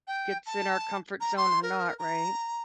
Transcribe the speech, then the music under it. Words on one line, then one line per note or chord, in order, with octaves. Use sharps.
gets in our comfort zone or not, right?
G5
A5
A#5
C6
A#4
A#5